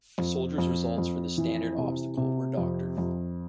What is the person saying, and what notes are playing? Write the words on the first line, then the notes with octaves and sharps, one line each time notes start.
Soldiers' results for the standard obstacle were doctored.
F2
F2
F2
E3
C3
C3
F2
F2